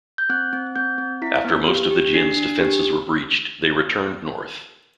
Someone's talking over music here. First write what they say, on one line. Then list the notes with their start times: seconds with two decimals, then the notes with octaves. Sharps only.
After most of the Jin's defences were breached, they returned north.
0.18 G6
0.30 C4 F#6
0.53 C4
0.76 C4 G6
0.98 C4
1.22 E4 B6
1.45 B3
1.67 G4
1.91 G4
2.14 D4 C7
2.37 D4
2.59 G4